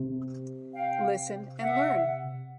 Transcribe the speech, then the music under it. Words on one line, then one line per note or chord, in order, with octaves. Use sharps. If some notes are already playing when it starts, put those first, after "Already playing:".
Listen and learn.
Already playing: C3
F5 G5
E5 F#5